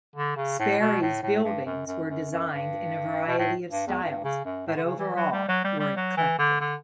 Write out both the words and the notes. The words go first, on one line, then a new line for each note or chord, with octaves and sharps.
Sperry's buildings were designed in a variety of styles, but overall were eclectic.
D3
C#3
A2
B2
A2
A2
G2
F#2
F#2
F#2
F#2
G2
B2
A2
G2
E2
G2
C#3
F#2
A2
D3
C#3
E3
F#3
G3
F#3
G3
G3
F#3
E3
D3
D3